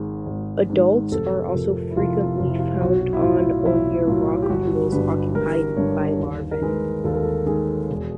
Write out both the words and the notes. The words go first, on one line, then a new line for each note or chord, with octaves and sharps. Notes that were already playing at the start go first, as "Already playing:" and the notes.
Adults are also frequently found on or near rock pools occupied by larvae.
Already playing: G#1 G#2 D#3 G#4
G#1
G#2 D#3
F1 A4
F2 C3 A#4
E4
F1 F4
F2 C3 F4
E4
F4
B1 F#4
E4
A2 F#3 F4
B1 E4
A2 F#3 F4
G4
G1 F#4
G2 D3 G3 B4
G1 A#4
G2 D3 G3 C#5
D#2
A#4
D#3 G#3 B4
D#2 A4
A#4
A4
D#3 G#3 G#4
E1